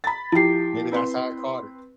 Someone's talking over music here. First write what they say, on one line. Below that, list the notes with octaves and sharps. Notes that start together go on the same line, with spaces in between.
Maybe that's how I caught it.
B5 A6
F3 E4 G4 C7
C4 B4 C6